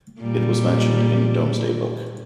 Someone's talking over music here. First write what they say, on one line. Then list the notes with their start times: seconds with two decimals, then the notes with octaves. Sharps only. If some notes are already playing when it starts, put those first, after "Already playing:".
It was mentioned in Domesday Book.
0.19 A#2 G3